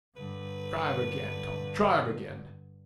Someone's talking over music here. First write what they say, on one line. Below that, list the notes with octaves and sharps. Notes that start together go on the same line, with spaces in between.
'Try 'em again, Tom; try 'em again.'
G2 D3 B4